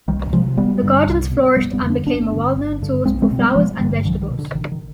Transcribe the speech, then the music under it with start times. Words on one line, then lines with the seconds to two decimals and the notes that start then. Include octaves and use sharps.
The gardens flourished and became a well known source for flowers and vegetables.
0.08 C2 D#3 G3
0.32 C3 F3 G#3
0.57 G#1 G3 B3
0.82 G2 D3
1.07 C2
1.32 B2
1.57 G1 G3 B3
1.73 G3 B3
1.82 F2 D3
1.90 B3 D4
2.06 G1 B3 D4
2.32 G2 D3
2.56 G1
2.82 G2 D3
3.06 B1 G#3 C4
3.22 G#3 C4
3.31 B2
3.39 G3 B3
3.56 G#1 F3 G#3
3.80 G2 D#3 G3
3.84 D3
4.05 B1 D3 F3
4.22 D#3
4.30 B2
4.39 D3
4.55 G#1 D#3
4.65 D3
4.72 D#3